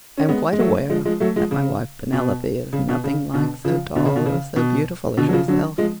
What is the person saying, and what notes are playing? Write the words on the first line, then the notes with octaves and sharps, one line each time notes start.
I am quite aware that my wife Penelope is nothing like so tall or so beautiful as yourself.
C#4
G#3 B3
G#3
F#3 A3
F3 G#3
F3 G#3
F#3 A3
F3 G#3
C#3
B2
C#3
B2
C#3
B2 D3
C#3 F3
B2 D3
C#3
B2
C#3
B2
B2 D3
F#3
C#3 F3
D3 F#3
F3 G#3